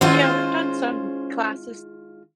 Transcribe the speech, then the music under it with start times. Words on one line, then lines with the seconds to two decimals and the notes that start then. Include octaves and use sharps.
Yeah, we've done some classes
0.01 D#3 G#3 C#4 F4 C5